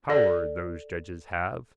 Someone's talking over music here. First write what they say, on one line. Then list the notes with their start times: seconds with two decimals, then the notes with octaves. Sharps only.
Power those judges have.
0.09 A4 D5